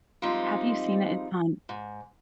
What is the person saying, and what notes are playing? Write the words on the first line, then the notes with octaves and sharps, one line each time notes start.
Have you seen it? It's on
F3 G3 G#3 C4 D#4
G#2